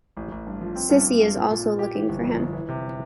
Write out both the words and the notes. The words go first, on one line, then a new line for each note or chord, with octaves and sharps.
Sissy is also looking for him.
A1
A1
G2
F3
C4
G2
G2
G2
A#2
A#2
A#2
G4
E3
G1
F2
G1
E3
C3